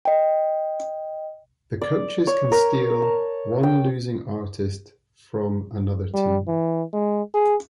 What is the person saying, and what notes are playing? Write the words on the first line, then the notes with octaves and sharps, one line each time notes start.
The coaches can each steal one losing artist from another team.
D#5 G5
D5
C#5
A#4
A5
G5
G3
E3
G#3
G#4